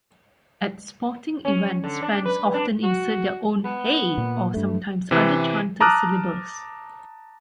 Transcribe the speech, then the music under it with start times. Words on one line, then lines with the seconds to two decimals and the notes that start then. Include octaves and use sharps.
At sporting events, fans often insert their own "Hey", or sometimes other chanted syllables.
1.45 C#4
1.84 D3
2.03 D4
2.25 B4
2.54 D4
2.83 F#4
3.65 B3
4.18 A#2
4.54 G2 A3
5.11 C3 E3
5.81 A5 A#5 D6 D#6 F6 F#6